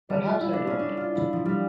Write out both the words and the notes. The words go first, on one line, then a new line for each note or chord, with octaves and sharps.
Perhaps I don't.
G3
F4
E4
D4
C#4
D4
F4
E4
F3
G3